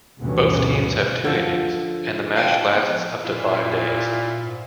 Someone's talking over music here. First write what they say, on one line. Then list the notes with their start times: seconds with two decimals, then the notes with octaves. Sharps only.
Both teams have two innings, and the match lasts up to five days.
0.19 D2 G2 B2 E3 C#4
1.24 D3 F3 A4
2.37 F5 G5
2.73 B3
2.89 F3
3.25 A#2 E4 F4
4.40 G#2